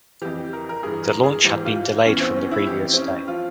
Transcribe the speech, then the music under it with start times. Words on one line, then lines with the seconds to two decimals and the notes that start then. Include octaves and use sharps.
The launch had been delayed from the previous day.
0.22 F2 E3 G4
0.53 A#4
0.69 A#4
0.83 G2 E3 G#4
1.04 A#4
1.23 G#4
1.44 G#2 E3 G4
1.65 F4
2.06 E2 E3 C#4
2.20 C4
2.36 C#4
2.51 E4
2.66 F2 E3 G4
2.93 C4
2.97 C#4
3.28 F3 F4